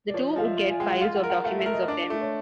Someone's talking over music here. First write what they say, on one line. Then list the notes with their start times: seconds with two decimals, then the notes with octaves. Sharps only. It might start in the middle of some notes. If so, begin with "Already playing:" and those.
The two would get "piles of documents" of them.
0.09 D5
0.14 F3 C#5
0.28 D#5
0.36 F3 F5
0.43 E5
0.57 F4
0.69 G#5
0.80 G#3 G5
0.91 F#5
1.01 F4 F5
1.16 F#5
1.23 A#4
1.30 F#5
1.44 A3 F5
1.59 E5
1.66 A#4
1.73 D#5
1.88 D4
2.10 A3
2.21 C#5